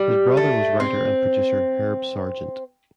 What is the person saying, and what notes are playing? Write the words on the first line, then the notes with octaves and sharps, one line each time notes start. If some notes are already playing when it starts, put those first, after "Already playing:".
His brother was writer and producer Herb Sargent.
Already playing: G3
A3
C4